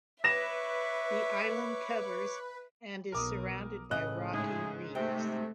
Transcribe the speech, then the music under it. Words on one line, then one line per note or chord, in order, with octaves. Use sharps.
The island covers and is surrounded by rocky reefs.
B4 C#5 E5 C#6 D6 A#6 E7
B1 A#4 D6 D#6
A2 C#3 D#5 F#6
G#2 G#3 A3 G#4
C3 A3 G5